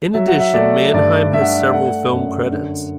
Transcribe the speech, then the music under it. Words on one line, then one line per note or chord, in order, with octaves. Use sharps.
In addition, Manheim has several film credits.
F#3 E5
F#5
E5
A3 D5
G2 D5
G2 E5
F#5
E5
A3 F#5
F#2
D3